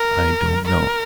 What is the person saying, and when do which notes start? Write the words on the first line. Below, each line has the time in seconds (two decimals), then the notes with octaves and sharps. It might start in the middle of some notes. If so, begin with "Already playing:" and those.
I don't know....
Already playing: A#4
0.65 A#4